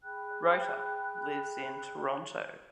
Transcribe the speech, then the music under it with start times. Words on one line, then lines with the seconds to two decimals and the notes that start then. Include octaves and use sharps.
Roter lives in Toronto.
0.03 G#4 G5 B5 F#6